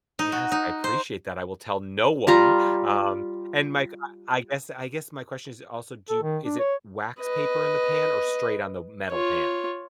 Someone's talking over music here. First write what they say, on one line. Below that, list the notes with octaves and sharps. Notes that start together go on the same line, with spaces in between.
Yes, I appreciate that, I will tell no one. Um, and my g I guess I guess my question is also do you is it wax paper in the pan or straight on the metal pan?
D#4
F#4
D#4
C5
G3 F4 A#5
A4
D#3
D4
C#5
B4 D#5
F4 C#5